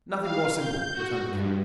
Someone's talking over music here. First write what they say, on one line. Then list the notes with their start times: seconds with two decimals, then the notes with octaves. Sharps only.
"Nothing more simple," returned the count.
0.22 F5
0.58 G6
0.93 F#4
1.29 G2